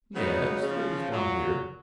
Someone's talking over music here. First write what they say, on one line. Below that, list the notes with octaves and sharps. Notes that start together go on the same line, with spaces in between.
"Yes, there was one here."
C#3 F#3 B3 D#4
C#3 F3
A#2 F#3